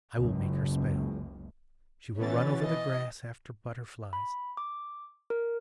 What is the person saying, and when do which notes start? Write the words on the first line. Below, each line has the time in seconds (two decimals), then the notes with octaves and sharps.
I will make her spell. She will run over the grass after butterflies.
0.17 F#1 C#2
2.18 B2 E3 C#4 A6
2.64 D#5
4.13 B5
4.57 D6
5.30 A#4